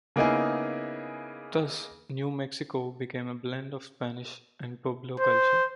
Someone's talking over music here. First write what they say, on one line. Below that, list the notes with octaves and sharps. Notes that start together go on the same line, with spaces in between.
Thus, New Mexico became a blend of Spanish and Pueblo culture.
C#3 A#3 B3 D#4 E4 G#4
C5